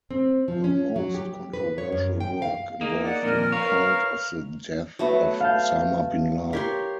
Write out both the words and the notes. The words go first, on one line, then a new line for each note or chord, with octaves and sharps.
Her most controversial work involved an account of the death of Osama bin Laden.
C4
F3
C#4
F#3
G4
B4
C#5
F#2
G5
F5
A#3 D#4 G#4
D5 F#5
F2 A#2 A#4
B4 C#5 F5
F6
F#3 A3 B3
F5 A5 G6
G4 A#4 C#5 C6 B6